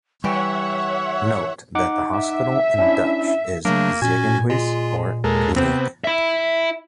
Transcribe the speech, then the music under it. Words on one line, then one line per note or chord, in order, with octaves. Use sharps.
Note that hospital in Dutch is "ziekenhuis" or "kliniek".
E3 G3 G4 C#5 E5 F#5 C#6
D#4 F#5 D6
E5
C#4 D4 E4
C#3 F#3 A3 A#3 D4
A#2 C#4 F#4 G#5
G#3 F4
D#2 G#3 A4 A#4
C3 B3 C4
E4 E5